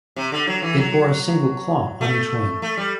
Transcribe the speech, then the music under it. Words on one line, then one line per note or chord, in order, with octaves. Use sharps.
It bore a single claw on each wing.
C3
D3
F#3
E3
F#3
A3
A3
G3